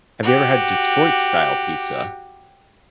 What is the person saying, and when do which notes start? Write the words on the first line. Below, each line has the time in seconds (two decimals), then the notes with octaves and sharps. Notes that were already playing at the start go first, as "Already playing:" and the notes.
have you ever had Detroit-style pizza?
0.23 F#4 G4